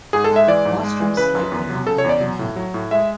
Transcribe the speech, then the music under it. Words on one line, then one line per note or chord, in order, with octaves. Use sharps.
Rostrum slightly longer than head.
G#2 G#4
A4
G#3
E5
E3 D5
G#2
G#3
E3
C#3 B4
F#2
E2
F#3
C#3 A4
C#5
E2 D5
F#3
A2
F#3
A2
G#3 E5